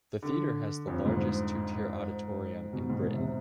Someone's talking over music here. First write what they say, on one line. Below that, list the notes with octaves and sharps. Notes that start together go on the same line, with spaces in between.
The theatre has the largest two-tier auditorium in Britain.
D3
F2
G2
G#2
B2
G#2
B2
C3